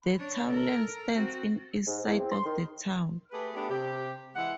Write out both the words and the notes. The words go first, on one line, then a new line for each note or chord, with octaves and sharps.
The townland stands in east side of the town.
D4 C#5
A4 A#4
C4 F#4
G#2
E2
C4
C6
D#3
A3 G4 G#4 B4
A3 B3 D4 G4
C3 G4
E3 G#3 F#5